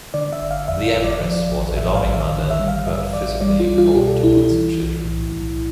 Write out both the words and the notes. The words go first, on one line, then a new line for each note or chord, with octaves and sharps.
The Empress was a loving mother, but physically cold towards her children.
D3 D5
E5
G1
F5
F2 E5
E5
G1
D5
F3 D5
A1
A2 E5
F5
A1
E5
D3
E5
G3
F5
G2 E5
A1 D5
G3 D5
F4
C2
F4
B2 G4
A4
C2 E4
E4
E3
B1
A2
B1